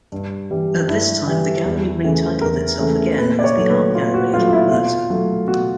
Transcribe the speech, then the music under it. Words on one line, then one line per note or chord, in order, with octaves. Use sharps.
At this time, the gallery re-titled itself again as the Art Gallery of Alberta.
G2
E3 G3
G2 E4
E3 G3
E2
C#3 E3 A3
E2 A#4
C#3 E3 A3
A#2 B4
D5
C#5
F#3 A3
B4
A#2 F4
F#4
F#3 A3 F4
F4
E4
B2 F4
F#3 A3
B2 F#4